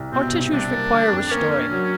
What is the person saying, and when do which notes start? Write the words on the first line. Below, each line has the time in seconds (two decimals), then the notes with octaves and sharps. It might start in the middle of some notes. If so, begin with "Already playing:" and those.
Our tissues require restoring.
Already playing: C2
0.12 B2 C4
0.33 C2
0.52 G3 D4
0.72 A#3
0.92 D3
1.12 F2
1.31 A#3 C#4
1.51 D4
1.71 F#3